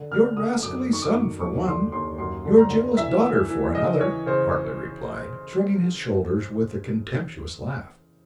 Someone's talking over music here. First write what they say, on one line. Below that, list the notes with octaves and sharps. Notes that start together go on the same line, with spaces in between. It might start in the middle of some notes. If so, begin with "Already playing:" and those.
"Your rascally son, for one--your jealous daughter, for another," Hartly replied, shrugging his shoulders with a contemptuous laugh.
Already playing: D3
D3 F6
D3 D#6
F#2 D6
D#3 C#6
D6
F#2
D#2 C#6
D3 C6
D#2 C6
F#2 C6
D3
A#5
D3
E3 E5
E3
E3
C#3 D#5
E3 C#5
C#3 C5